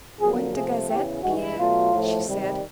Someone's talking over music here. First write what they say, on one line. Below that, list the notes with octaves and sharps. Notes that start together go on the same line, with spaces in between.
"Point de gazette, Pierre?" she said.
F2 D3 F#3 A#3 G#4
C3 F3 A3 G#4
E2 C#3 E3 G4
G2 E3 G#3 F#4
B2 F#3 A3 F4
A2 F3 A3
C3 D#3 G3